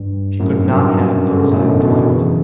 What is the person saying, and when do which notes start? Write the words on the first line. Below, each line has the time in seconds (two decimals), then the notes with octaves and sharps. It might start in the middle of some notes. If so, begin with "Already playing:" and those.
She could not have outside employment.
Already playing: G2
0.39 F#2 A2
0.54 G2
0.68 F#2
0.82 G2
0.96 F#2
1.10 G2
1.30 D3
1.38 C#3
1.45 B2
1.52 F#2 A2
1.66 B2 D3
1.81 B2 D3
2.09 C#3 E3